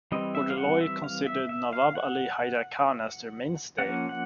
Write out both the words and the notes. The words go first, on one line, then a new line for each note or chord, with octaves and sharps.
Bordoloi considered Nawab Ali Haider Khan as their mainstay.
E3 G3 C4 D#5
E5
F5
F#5
E5
F5
E5
E5
F5
F#5
F3 A#3 C#4 F#5
F#5